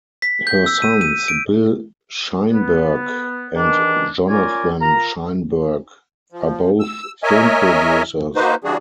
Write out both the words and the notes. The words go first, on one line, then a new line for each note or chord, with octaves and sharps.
Her sons, Bill Sheinberg and Jonathan Sheinberg, are both film producers.
B6
G6
E6
D#7
D#7
D7
B3
D#3 E3 D4
C#4 F4 A#4 D5 G#5
F4 A#4 A#5
F3
E6
A#4 C#5 D#5 E5 G#5
A#3 D#4 F#4 B4 C5
C#3 E3 G3 D4 F#4 G#4